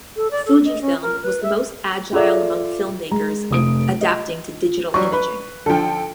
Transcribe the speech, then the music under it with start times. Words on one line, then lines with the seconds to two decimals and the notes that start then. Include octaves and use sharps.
Fujifilm was the most agile among film makers in adapting to digital imaging.
0.16 A4
0.31 D5
0.46 A4
0.65 D#5
0.82 C#4
1.02 A#4
1.23 B4
1.43 E5
2.13 F4 G#4 A4 D5 E5
3.11 G#3 A#5
3.51 F1 D#6 D7
4.01 D#5
4.94 F#3 G3 C#6
5.13 B4
5.66 D3 F3 A4 G5